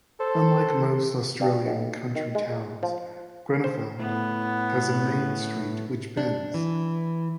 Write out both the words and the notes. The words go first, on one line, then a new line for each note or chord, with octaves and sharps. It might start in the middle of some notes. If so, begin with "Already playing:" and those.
Unlike most Australian country towns Grenfell has a main street which bends.
A4 C5
G2
B1
D#3
G#3
F3
C5
A2 B3
D4
E3